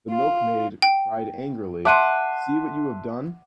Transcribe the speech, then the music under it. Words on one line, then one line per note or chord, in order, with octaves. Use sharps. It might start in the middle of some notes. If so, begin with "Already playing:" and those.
The milk-maid cried angrily; "see what you have done!"
F4
G5
E5 F#5 A5 C6 D6 F#6 D#7